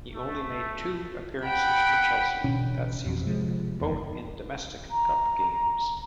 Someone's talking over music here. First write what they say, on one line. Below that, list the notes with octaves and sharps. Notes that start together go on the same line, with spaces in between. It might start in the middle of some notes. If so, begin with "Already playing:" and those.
He only made two appearances for Chelsea that season, both in domestic cup games.
A3
F#5 G5 B5
A1 B2 D3 C#4
A1 F2
C3 F3 G#3
F#1 E2
A#5